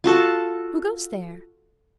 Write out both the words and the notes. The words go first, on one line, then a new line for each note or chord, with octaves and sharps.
Who goes there?
F4 F#4 A4 A5